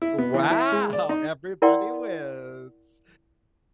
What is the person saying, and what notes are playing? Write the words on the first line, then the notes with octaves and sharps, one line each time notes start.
Wow! Everybody wins,
E4
B3
E3
E4
G#3
D5
D#4
E4 A#4 D5 F#5 G5 C6